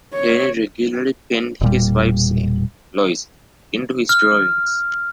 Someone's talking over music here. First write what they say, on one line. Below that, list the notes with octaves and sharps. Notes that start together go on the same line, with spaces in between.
Haynie regularly penned his wife's name, Lois, into his drawings.
C#5
E1 A#2 G3
F6